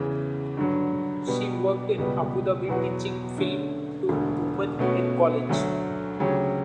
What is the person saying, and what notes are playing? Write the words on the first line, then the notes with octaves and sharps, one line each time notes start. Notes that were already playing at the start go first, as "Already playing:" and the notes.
She worked in Abu Dhabi teaching film to women in college.
Already playing: E2 C#3 E3
G2 D3 F#3
B2 G3 B3
C#2 B2 G3 B3
E2 B2 F#3 B3 F#4
D3 A3 C#4
E1 D2 D3
B2 A3 C#4 F#4
D2 D3 F#3 A3
D2 C#3 F#3 C#4 G4